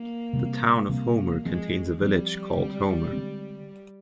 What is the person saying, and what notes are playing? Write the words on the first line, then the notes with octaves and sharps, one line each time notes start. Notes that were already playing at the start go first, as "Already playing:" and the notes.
The town of Homer contains a village called Homer.
Already playing: A#3
C3 G3 C4
C3 G3 A#3 C4
F3 G#3 C4
F3 G3 C4
D3 G#3 C4
D3 G#3 C4